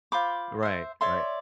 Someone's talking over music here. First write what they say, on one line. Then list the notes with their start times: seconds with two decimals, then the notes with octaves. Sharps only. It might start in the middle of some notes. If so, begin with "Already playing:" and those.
Right, right.
0.12 F4 C5 B5 D6
0.63 C5 E5
1.01 C#5 D5 E5 C6